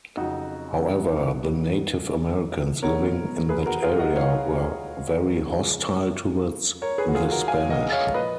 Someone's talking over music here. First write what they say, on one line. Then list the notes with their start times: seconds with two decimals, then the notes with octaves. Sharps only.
However, the Native Americans living in that area were very hostile towards the Spanish.
0.17 F2 C#3 F#3 D#4 F#4
2.82 B2 F#3 B3 A#4 C#5
3.49 G#4 B4
3.66 F#4 A#4
3.83 F4 G#4
3.99 D#5 F#5
4.16 C#5 F5
5.49 C#3 F3 G#3
6.82 A#4 C#5
6.98 G#4 B4
7.08 F#4
7.14 F4 G#4
7.31 F#4 A#4
7.48 F5 G#5
7.70 D#5 F#5
7.92 C#5 F5
8.14 A#2 F3 A#3 B4 D#5